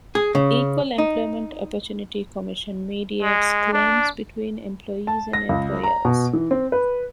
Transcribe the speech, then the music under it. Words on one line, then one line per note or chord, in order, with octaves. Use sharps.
Equal Employment Opportunity Commission mediates claims between employees and employers.
G#4
C#3
D#4
G#3
D4
A5
A#6
C#2
A#5
B2
E3
C4
B4